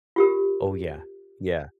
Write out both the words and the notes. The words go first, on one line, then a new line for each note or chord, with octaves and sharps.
Oh, yeah. Yeah.
F4 G4 A#4